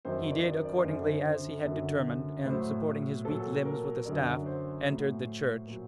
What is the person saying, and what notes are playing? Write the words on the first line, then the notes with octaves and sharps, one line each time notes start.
He did accordingly as he had determined, and supporting his weak limbs with a staff, entered the church.
F#2 D#3 F#3 C5
D5
C5
A#4
D5
F#2 D3 F#3 C5
C5
C5
F#2 D3 F#3
A2 F#3 C5
A#2 F#3 A4
A#4
F#2 D3 F#3 D5
C5
A2 F#3
A#2 F#3